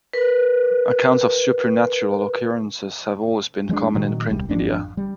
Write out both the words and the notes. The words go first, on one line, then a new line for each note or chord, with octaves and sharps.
Accounts of supernatural occurrences have always been common in the print media.
A#4 B4
F#3 G#3 B3 D4
A#2 D#3 F#3
D#1 C2 G3
G#1 F2 D4
G3